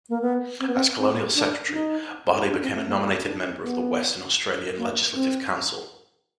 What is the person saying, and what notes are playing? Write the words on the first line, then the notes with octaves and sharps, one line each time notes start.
As colonial secretary, Barlee became a nominated member of the Western Australian Legislative Council.
A#3
B3
C4
B3
C4
C4
D4
D4
D#4
D4
C4
A3
A#3
D4
B3
A#3
C4